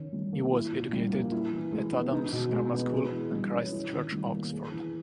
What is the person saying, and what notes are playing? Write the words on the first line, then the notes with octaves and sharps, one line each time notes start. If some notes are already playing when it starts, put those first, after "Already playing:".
He was educated at Adams' Grammar School and Christ Church, Oxford.
Already playing: D#3 C#4
G3
A#3
E4
A#2
G3
A#3
E4
E3
G#3
B3
D#4
B2
G#3
B3
G#4
E3
G3
C#4
E4
D#3
G3
A#3
G#4
E3